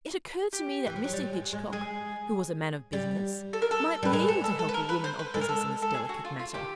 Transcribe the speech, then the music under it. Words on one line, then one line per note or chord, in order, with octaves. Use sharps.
It occurred to me that Mr. Hitchcock, who was a man of business, might be able to help a woman of business in this delicate matter.
G4
E3
F3
F#3
G3
G#3
G#3
G#3 G#4
G3
A4
A#4
A4
G3 B4
G#3 A#4
A4
A4
A4
B4
A#4
B4
C5
B4
G#3 A4
A#4
A4
A4
G#4
F#4
F4
F4
D#3 G4